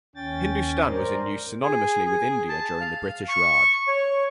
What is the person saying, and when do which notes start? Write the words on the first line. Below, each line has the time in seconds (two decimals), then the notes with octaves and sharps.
"Hindustan" was in use synonymously with "India" during the British Raj.
0.16 D#2 C#4 G5 A6
0.88 G#2 A#4 C5 D5
1.63 G#4
2.06 G#4
2.49 A5
2.81 F5
3.29 C#6
3.88 C#5